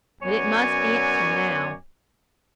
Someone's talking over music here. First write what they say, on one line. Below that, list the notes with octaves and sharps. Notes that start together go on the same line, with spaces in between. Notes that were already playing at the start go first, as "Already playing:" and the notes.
But it must answer now.
F#2 F#3 B3 C#5 D5 G#5